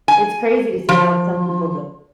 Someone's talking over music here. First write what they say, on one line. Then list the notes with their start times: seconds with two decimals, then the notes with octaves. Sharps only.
It's crazy to see how some people built
0.08 G#5
0.89 F3